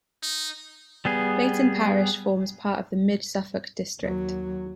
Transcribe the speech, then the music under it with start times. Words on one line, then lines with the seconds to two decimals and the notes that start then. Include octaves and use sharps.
Beyton parish forms part of the Mid Suffolk district.
0.23 D#4
1.05 G3 B3 G#4
4.00 D#2 F#3